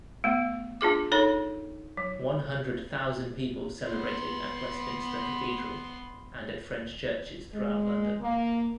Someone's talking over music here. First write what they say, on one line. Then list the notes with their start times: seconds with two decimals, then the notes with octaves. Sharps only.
One-hundred thousand people celebrated at Westminster Cathedral, and at French churches throughout London.
0.24 A3 B3
0.81 D4 F4 G#4 D6
1.12 D#4 A4 C#5 B5
1.97 F#3
3.91 B3 C6
7.53 G#3
8.20 A#3